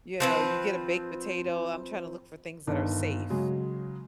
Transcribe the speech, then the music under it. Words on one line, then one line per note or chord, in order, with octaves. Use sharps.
You know, you get a baked potato, I'm trying to look for things that are safe.
F3 C4 B4
G1 D#3 D4
C#3 F#3 G#3